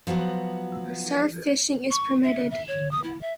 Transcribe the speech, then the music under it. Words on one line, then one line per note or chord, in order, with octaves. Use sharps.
Surf fishing is permitted.
F3 F#3 B3 F#4
C#6
E5
E5
C#5
D#6
E4
E5